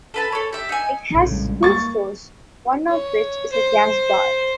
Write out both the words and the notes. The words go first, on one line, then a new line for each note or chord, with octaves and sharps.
It has two stores, one of which is a gas bar.
A4 B4 A5
A4 C#5
G4 E5
D#4 G#5
A#1 A2 C#3
D#2 G3 G#3
A#3 C#6 A6
C#5
C5